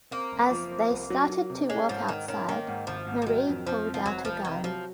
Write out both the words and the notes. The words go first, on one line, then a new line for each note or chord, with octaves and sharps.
As they started to walk outside, Marie pulled out a gun.
A#3 C4
F#1
F3
C4
C2
F#3
F#3
C3
G#3 C#4
G#2 F3
G#2 D#3
D#3 C#4
D#3 A#3
G#2
G#1 F3
G#2
F3
D#3 F#3
F2
F2 F3
C4
F3
F1 F#3
F1 F3
C3 D#3
F3 F#3